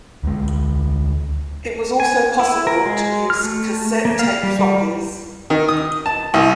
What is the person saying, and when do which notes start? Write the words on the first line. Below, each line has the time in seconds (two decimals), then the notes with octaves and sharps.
It was also possible to use cassette tape floppies.
0.23 D2 G#3
2.00 G#5
2.40 E4
2.67 A#4
2.86 G#3
3.30 F6
3.44 A3
4.05 A#3
4.19 F5
4.43 G3
4.59 G3
5.50 D#3
5.68 D#6
6.06 A5
6.34 C2